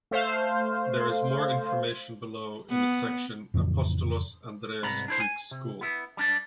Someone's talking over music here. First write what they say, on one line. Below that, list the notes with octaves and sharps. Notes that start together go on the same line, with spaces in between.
There is more information below in the section Apostolos Andreas Greek School.
A3 C5 F5
B3
F2 A2 C#3 E3
C2 G#2 B3 A#5 B5
D4 E4 C5
G#5
C3
B3 E4
G3 D4 D5